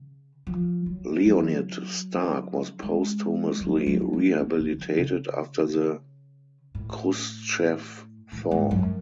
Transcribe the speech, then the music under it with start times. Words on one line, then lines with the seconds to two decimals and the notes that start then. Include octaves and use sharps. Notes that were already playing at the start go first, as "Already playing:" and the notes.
Leonid Stark was posthumously rehabilitated after the Khrushchev Thaw.
Already playing: C#3
0.47 F3
0.86 F#3
1.25 F#3
2.82 G#3
3.61 F#3
3.86 F#3
4.13 A3
4.40 B3
4.60 D3
4.78 F3
4.98 C#3
6.75 A2
8.32 A2
8.51 G#2
8.71 F#2